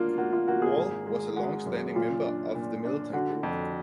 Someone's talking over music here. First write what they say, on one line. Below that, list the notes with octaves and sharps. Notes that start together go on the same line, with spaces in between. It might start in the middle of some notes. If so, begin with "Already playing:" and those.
Wall was a long-standing member of the Militant group.
Already playing: A#3 D4 F4 F#4
A#3 F#4
F4
A#3 F#4
G#4
G#1
G#3
G#3 F#4
F#2
A#2 F4
D4
A#2
D4
D3 F#4
F2